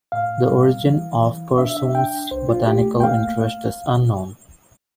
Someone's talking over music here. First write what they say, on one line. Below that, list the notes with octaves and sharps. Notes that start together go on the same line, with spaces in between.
The origin of Persoon's botanical interest is unknown.
A2 F5
G3
E3
E3
D4 E5
E5
D4 G5
C2 C5
F4
A3 G4
G5
A#3 F5